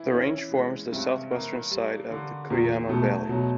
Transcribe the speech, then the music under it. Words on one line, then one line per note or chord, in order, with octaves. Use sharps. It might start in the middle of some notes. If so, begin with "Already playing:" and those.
The range forms the southwestern side of the Cuyama Valley.
Already playing: E3 E4
C#4
G#3
G2 C3
A#3
G3
D3
E2 A#2
B2 A3
B2 F#3